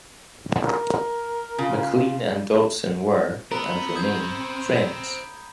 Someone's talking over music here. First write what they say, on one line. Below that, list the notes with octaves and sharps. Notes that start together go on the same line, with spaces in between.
Maclean and Dobson were, and remain, friends.
A#4
C#3 F4
B3 C4 A#4 A#5 B5
C5 E5 D#6 G6 G#6